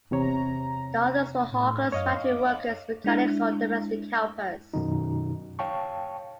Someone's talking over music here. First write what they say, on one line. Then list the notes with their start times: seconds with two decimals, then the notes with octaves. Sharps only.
The others were hawkers, factory workers, mechanics or domestic helpers.
0.11 E2 C3 C#5 A#5
1.50 A2
1.92 F#2 C#5 D#5 F5
2.24 D6
3.04 G#3 D4 E4
4.74 F#2 B2 D#3 D#4
5.59 C#5 F5 G5 A5 C#6